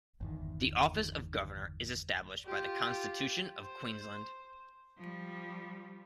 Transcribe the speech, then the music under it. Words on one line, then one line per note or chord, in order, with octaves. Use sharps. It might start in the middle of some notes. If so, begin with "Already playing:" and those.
The office of Governor is established by the Constitution of Queensland.
G1 E2 D#3
F4 G4
C5
F3 G3